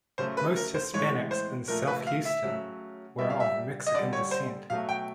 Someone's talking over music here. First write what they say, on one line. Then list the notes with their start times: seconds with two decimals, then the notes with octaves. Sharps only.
Most Hispanics in South Houston were of Mexican descent.
0.18 C#3 F#3 A3 C5
0.37 B4
0.56 A#4
0.75 C5
0.93 A2 E3 G#3 C#5
1.31 C5
1.68 A#2 F3 A3 A#4
1.87 B4
2.07 F5
2.25 E5
2.43 C#3 F#3 A3
3.19 A#2 G3 E5
3.30 F5
3.40 E5
3.87 D#5
3.94 D3 D5
3.99 G3
4.13 C#5
4.31 C5
4.70 B2 F#3 A3 F5
4.89 G5